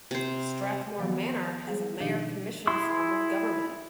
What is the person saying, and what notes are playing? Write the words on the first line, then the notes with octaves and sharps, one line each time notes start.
Strathmoor Manor has a mayor-commission form of government.
C3 C5
D#3 F3 F#3 B3
G3 G#3 G#4
B2 D#3 F3 D4 D#4 G4
E4 G#4 C6 E6